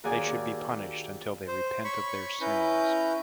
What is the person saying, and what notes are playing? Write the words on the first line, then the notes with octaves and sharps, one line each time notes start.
They should be punished until they repent of their sins.
D#2 F#4 G#4 D5 G#5
C5
C#5 B5 C#6
C#4 E4 B4 A#5 G6